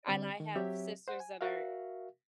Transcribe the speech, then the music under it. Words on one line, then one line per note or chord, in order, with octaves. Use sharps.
and I have sisters that are
D3 G3 C4 D5
D#3
F#3 C4 G4 C#5 E5
C5 F#5
G#5
F#4 A#4 E5 F5